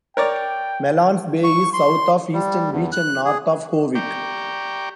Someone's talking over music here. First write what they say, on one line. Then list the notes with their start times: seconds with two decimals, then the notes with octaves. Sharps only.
Mellons Bay is south of Eastern Beach and north of Howick.
0.17 A#4 C#5 D5 G5
1.44 C#6
1.73 C6
2.33 G3
2.71 E2
2.92 F#6
3.25 G#4
3.95 G4 D5 G5 A#5 C#6 D6